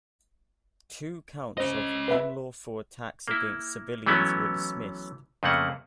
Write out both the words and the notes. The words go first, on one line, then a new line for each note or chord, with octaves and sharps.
Two counts of unlawful attacks against civilians were dismissed.
C#4 C5 D#5
B4 E5
A#3 E4
E3 F#3 A3 B3 C#4 E4
F2 C#3 A3 A#3 F#5